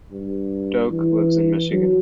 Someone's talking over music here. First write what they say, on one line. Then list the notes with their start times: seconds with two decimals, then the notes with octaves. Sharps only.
Doak lives in Michigan.
0.11 G2
0.91 E3
1.71 F#3